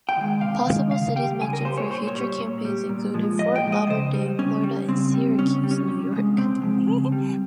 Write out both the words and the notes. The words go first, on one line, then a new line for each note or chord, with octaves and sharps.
Possible cities mentioned for future campaigns included Fort Lauderdale, Florida and Syracuse, New York.
G5
D#3 G#3
C3 F5
D#3 G#3
C#3 F5
G3 G5
C#3 G#5
A#4
G3 C5
C#5
A#2 C5
C#5
G3
C#5
A#2
G3
A#2
F3 G#3
A#2 D#5
G5
F3 G#3
D#5
C#3 C5
G3
C#3 C#4
G3
C#3 C4
G3
C#3 C#4
G3
C#4
C3
F3
G#3
C3 C4
F3 G#3
C#3
G3